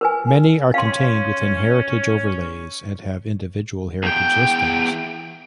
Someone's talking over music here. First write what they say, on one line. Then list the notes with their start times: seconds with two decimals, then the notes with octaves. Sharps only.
Many are contained within heritage overlays and have individual heritage listings.
0.01 A#4 B4 G#5
0.74 C#4 F5 C6
4.03 E2 G5